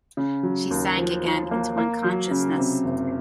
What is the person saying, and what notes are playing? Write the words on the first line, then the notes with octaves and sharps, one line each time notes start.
She sank again into unconsciousness.
C#3
F#3
D#2
F3
F3
A#3
A#3
F#3
C#3
C3
F#1